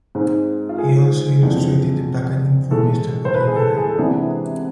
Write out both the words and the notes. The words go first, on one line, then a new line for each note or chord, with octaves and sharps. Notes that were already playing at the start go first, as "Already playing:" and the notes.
He also illustrated the packaging for Mister Potato Head.
G#2 G#3 C4
F4
G#4
F2 E3 G#3 B3 D4
A2 E3 G#3 A4
C5
B4
G#4
A4
G#4
A4
C3 E3 G#3 B3 D4 G#4